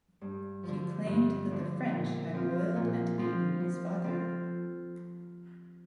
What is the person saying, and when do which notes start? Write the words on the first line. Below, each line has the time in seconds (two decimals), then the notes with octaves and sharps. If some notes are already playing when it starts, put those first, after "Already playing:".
He claimed that the French had boiled and eaten his father.
0.21 G2
0.63 D3 F3
1.06 G2
1.48 D3 F3
1.91 A#2
2.33 F3 C4 F4
2.76 A#2
3.18 F3 C4 F4
3.60 F3
4.04 C4 F4 A4